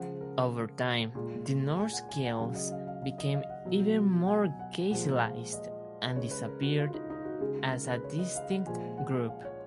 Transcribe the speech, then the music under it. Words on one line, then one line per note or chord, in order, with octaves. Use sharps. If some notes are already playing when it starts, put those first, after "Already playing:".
Over time, the Norse-Gaels became ever more Gaelicized and disappeared as a distinct group.
Already playing: C#3 F3 G#3 F#5
A#4
A#2 G#3
G#5
F#5
G#5
F#5
C#3 F#3 F5
D#5
F5
F5
F5
D#5
F5
F#5
B2 F#3
F#5
G#5
F#5
A#2 F3 G#3 F#5
F5
D#5
B4
C#3 G#3 C#5
B4
A#4
F#4
F4
D#4
D#4
F#4
C#3 G#3 G#4
G#4
A#4
B4
C#5
D#5
F5
F#5
A#2 F3 G#3 G#5
F#5
F5
C#5